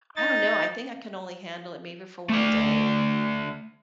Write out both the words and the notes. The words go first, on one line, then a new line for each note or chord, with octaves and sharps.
I don't know. I think I can only handle it maybe for one day.
D#4 A6
A3 D5